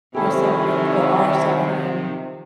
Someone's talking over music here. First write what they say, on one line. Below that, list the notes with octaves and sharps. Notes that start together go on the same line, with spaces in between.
we're suffering or are suffering
C3 D#3 F3 C#4 E4 G4 A4